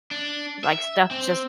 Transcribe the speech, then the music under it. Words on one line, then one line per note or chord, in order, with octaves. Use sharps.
like, stuff just
D4
E5
C4